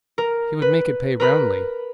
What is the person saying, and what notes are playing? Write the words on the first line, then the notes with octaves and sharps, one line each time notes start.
He would make it pay roundly.
A#4
B4
A#4 B4 B5